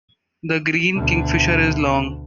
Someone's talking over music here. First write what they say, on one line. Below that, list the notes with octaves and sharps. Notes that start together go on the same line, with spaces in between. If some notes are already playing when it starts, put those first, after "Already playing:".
The green kingfisher is long.
D2 B2